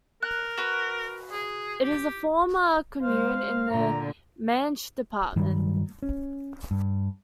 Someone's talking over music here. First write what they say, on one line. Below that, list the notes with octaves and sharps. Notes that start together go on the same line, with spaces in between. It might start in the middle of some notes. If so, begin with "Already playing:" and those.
It is a former commune in the Manche department.
A#4 F#6
F#4 B4
G#4
G4
G#3 C5 F5
A#2 D3 A#5
G2 D#3 F#3 G3
C#4
G2